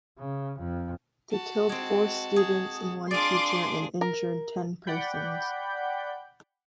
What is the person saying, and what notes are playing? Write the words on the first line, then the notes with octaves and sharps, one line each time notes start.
They killed four students and one teacher, and injured ten persons.
C#3
F2
F#4 A5
G#3 C4
G#4
D4 F4 G#4 D5 C6 D6
A#4
D5 F#5 G5 B5 G6